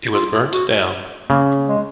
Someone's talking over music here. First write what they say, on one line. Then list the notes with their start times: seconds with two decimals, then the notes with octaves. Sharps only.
It was burnt down.
0.14 F4
0.53 F#4
1.30 C#3 A#3
1.68 G#3